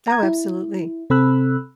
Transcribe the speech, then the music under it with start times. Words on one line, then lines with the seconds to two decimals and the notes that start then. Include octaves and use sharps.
Oh, absolutely.
0.08 A#5 G#6
0.23 E4
1.10 C3 C4 A4 B5 E6 F#6